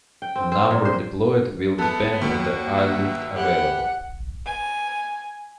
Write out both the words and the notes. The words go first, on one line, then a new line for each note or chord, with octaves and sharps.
The number deployed will depend on the airlift available.
G5
C4
C4
A#2
C5
G#3 A3 B3 A4 A5
D#2 F#4
F#3 B4 E5
E4 G4 F#5
G#5